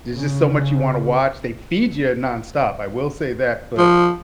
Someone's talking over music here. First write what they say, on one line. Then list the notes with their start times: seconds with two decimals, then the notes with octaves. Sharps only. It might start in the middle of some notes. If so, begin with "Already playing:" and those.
there's just so much you wanna watch. They feed ya nonstop, I will say that, but
0.14 C#3
3.78 F3